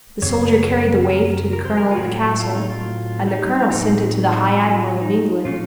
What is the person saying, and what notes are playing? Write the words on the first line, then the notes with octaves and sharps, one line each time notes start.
The soldier carried the waif to the colonel of the castle, and the colonel sent it to the High Admiral of England.
F#2 C#3 C4 C#5
A#4
A#4
C5
A#4
F4
A2 F#3 A3 C4 F#4
F4
D#4
F4
D#4
A2 F#3 C4 D#4
F4
D#4
A#2 A3 C#4 F4